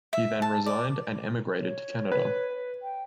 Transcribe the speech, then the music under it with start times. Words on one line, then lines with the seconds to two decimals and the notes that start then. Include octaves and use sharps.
He then resigned and emigrated to Canada.
0.13 E5
0.42 A5
0.66 D5
1.60 C#5
2.12 B4
2.83 G5